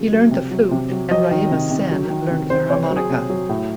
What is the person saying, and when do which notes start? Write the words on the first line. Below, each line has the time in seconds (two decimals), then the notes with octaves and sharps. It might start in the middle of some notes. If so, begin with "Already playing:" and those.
He learned the flute and Raima Sen learned the harmonica.
Already playing: C#3 F#3
0.12 F#3
0.31 C3
0.51 F#3
0.71 C3
0.91 F#3
1.11 F#3 D#5
1.31 D#3
1.51 C3
1.70 C3
1.91 F#3
2.10 D#3
2.30 C3
2.50 C3 C5
2.70 C3 C#5
2.83 C5
2.90 F#3
2.96 G#4
3.10 C3
3.30 F#3
3.49 A2